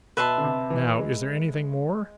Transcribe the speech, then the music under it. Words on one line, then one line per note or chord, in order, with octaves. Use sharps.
Now, is there anything more?'
B2 B4 E5 A5 C6
D3
C3
E3
G#3